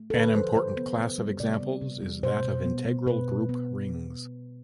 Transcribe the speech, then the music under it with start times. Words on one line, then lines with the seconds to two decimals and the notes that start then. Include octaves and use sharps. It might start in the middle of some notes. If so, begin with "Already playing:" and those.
An important class of examples is that of integral group rings.
Already playing: A3
0.10 A4
0.14 D3 B4
0.35 F3 C5
0.55 C3 C5
0.77 B3
0.98 C3
1.18 G3
1.40 C3 D5
1.60 B3
1.81 C3
2.02 G3
2.23 B2 C5
2.44 B2
2.65 B3
2.86 B3
3.07 B2 B4
3.29 B2
3.49 B3